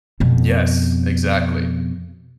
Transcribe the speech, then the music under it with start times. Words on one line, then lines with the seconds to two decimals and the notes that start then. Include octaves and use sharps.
Yes, exactly,
0.20 F2 B2